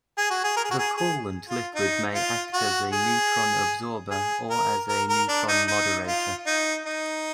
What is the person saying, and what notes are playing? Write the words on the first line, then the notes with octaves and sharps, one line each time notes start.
The coolant liquid may act as a neutron absorber or as a neutron moderator.
G#4
F#4
G#4
A#4
G#4
F#4
G#4
G#4
F4
D#4
F4
F#4
G#4
G#4
A#4
A#4
A#4
D4
D#4
D#4
F4
D#4
D#4